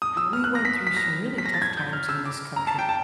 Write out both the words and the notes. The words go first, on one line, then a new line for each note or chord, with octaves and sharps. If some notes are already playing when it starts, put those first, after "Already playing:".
we went through some really tough times in this country,
D#6
E6
F6
F#6
A#6
B6
B6
A#6
B6
A#6
A6
G#6
G6
F6
E6
D6
A#5
A5
G5
A5